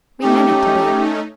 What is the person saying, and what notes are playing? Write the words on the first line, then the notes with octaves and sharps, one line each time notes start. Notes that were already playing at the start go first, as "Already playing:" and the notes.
We meant it to be.
A3 C#4 D#4 G4